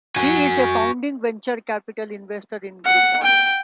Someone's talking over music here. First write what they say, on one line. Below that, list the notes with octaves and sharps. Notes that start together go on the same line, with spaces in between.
He is a founding Venture Capital Investor in Groupon.
F#4 G#5
F#5
G5